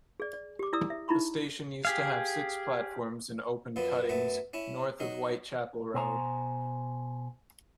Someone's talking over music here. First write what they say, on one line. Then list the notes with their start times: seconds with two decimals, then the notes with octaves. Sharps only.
The station used to have six platforms in open cuttings north of Whitechapel Road.
0.20 G#4 D5
0.33 D5
0.59 G4 D6
0.73 E4 D5 A#5 D#6 E6
0.90 E5
1.08 D#4 E4 A#5 B5 C#6
1.85 G4 G#4 F5
3.76 F#2 F3 B3
4.09 F#2 A3 B3
4.53 C#4 E4
5.00 F#3 D#4
5.94 B2 C5 G#5 A#5